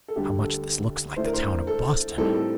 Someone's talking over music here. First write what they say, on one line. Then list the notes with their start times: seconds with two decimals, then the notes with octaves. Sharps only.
How much this looks like the town of Boston!
0.08 A4
0.16 D2 D3 G3 G4
0.41 A4
1.16 A2 A3 D4 C5
1.25 A#4
1.33 C5
1.67 A4
2.18 A2 G3 C4 D#4 A4
2.35 A4